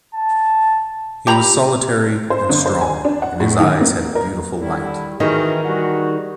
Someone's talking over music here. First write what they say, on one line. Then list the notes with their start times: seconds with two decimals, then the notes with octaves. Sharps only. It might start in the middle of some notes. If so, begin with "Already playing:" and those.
He was solitary and strong, and his eyes had a beautiful light.
0.15 A5
1.27 G4 A#5 B5
2.30 C5
2.49 G1
2.66 C5
2.81 G#5
3.05 D4
3.22 F#5
3.40 A2
3.60 D#3
3.81 A#3
4.15 A#4
4.60 D3 D#3 G3 E4
5.20 D#3 E3 C4 D#4 F#4 G#4 A#4 D#5
5.65 G3 F#4